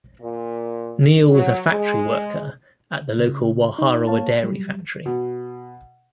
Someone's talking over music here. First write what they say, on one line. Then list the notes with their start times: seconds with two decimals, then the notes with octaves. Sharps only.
Neil was a factory worker at the local Waharoa dairy factory.
0.21 A#2
1.31 F#3
1.69 G#3
3.18 C#3
3.79 D#4
4.07 A#3 C#5 F5 A5
4.43 F#3 G3
5.06 B2